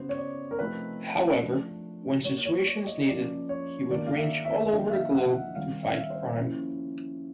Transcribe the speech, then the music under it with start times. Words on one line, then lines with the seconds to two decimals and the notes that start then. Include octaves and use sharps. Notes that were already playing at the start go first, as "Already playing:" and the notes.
However, when situations needed, he would range all over the globe to fight crime.
Already playing: C#3 F#3 B3 C5
0.09 C#5
0.17 D5
0.51 A#4
0.59 C3 F3 A3 C4 D#4 B4
1.41 F3 A3 D4
2.25 F#3 A#3 D#4 C#5
2.45 C#5
2.66 D5
2.87 D#5
3.07 F3 A#3 C#4 D5
3.49 C#5
3.89 D#3 F#3 A#3 D4 D5
4.07 F5
4.17 E5
4.45 E5
4.63 E5
4.72 D3 F3 A#3 D#4 D#5
4.90 E5
4.93 F5
5.14 F#5
5.34 F#5
5.55 D#3 G3 C4 D#4 F5
5.83 E5
5.91 F5
5.99 E5
6.10 C5
6.38 F3 A#3 C#4 E4